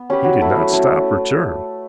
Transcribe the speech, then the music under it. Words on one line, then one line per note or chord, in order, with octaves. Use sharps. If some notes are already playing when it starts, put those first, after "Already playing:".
He did not stop or turn.
Already playing: B3
C#4 G4 B4
F#3
A3 C#4 E4
F#3
A3 C#4 E4